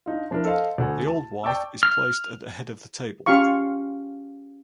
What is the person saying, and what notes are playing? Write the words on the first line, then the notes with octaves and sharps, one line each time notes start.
The Old Wife is placed at the head of the table.
D4 D#4 F4
F3 D4 E4 A#4
A4 C5 D#5 F5
D2 A3 A4 F#5 G#5
A5
D5 G5 A5 C#6 D6 E6
F6
C#4 F4 G4 F5 C#6